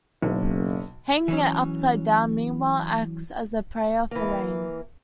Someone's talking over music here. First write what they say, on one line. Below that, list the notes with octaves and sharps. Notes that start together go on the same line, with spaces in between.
Hanging it upside-down, meanwhile, acts as a prayer for rain.
F#1 B1
E3 F#3 C#4
E3 A#3